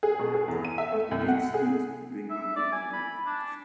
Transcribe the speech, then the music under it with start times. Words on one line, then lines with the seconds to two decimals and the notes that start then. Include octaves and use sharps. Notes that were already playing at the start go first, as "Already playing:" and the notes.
It takes heat to bring out the odor.
0.03 G#4
0.19 B2
0.34 G#4
0.48 E2
0.65 D#7
0.78 E5
0.92 A3
1.11 C2
1.28 F#5
1.54 G#4
2.30 E5
2.56 D5
2.72 G#5
2.93 B5
3.26 D4